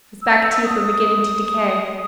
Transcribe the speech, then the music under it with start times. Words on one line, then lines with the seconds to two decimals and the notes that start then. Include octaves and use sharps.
His back teeth were beginning to decay.
0.22 E6
0.57 E6
0.65 D#6